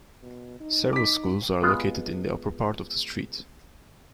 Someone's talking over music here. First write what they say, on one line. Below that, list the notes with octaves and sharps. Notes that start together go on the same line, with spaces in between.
Several schools are located in the upper part of the street.
B2
D#4
D#4 D6 B6
G#3 B3 F4